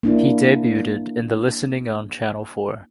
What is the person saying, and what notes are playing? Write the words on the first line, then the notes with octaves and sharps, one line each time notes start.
He debuted in The Listening on Channel Four.
A#3 D4 E4